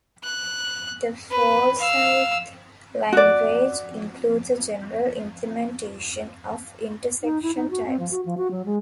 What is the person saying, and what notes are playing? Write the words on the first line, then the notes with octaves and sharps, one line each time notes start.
The Forsythe language includes a general implementation of intersection types.
F#6
B4
F5 E6
F#4 D5
D#4
E4
D#4
F#4
C4
F3
F#4
F3
F#4
F#3
G#3